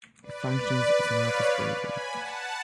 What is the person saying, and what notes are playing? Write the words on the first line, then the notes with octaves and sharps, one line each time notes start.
It functions as an office building.
B4 D5
C#5 F5
G#5 B5
F#5 A5